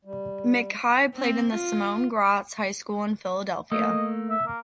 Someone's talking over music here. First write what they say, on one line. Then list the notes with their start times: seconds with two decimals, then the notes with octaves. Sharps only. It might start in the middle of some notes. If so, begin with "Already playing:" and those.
McKie played in the Simon Gratz high school in Philadelphia.
0.05 G3
1.15 C4
1.52 F4
3.72 A3 A#3 D#5
4.30 E5
4.47 A#3